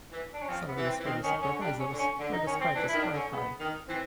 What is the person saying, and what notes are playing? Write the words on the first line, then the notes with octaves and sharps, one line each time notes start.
Salaries for the supervisors were described as "quite high".
E3
D4
C#4
F3 C4
B3
E3
C4
E3
D#3 C4
D#3 C#4
D3 C#4
G3 D4
C#4
D3
C#4
D3
D#4
D#3 C#4
C4
E3 D4
E4
D#3
D4
D3
C#4
C#3 B3
D#3
E3 C4